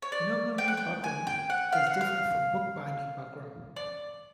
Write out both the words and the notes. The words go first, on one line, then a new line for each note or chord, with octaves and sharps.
Millinery buckram is different from bookbinding buckram.
C#5
D5
G5
F#5
G5
G#5
G5
F#5
F5
F#5
F5
D5